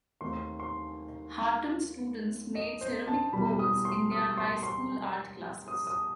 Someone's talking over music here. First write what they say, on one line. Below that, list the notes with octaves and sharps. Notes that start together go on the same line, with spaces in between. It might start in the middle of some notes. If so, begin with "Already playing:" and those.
Hartom's students made ceramic bowls in their high school art classes.
D#2 D#3 A3 C4 C6
C6
D#5
C5
A5
E2 B2 G3 B5
D#6
C6
D#6
C6
C6
D#6
D#6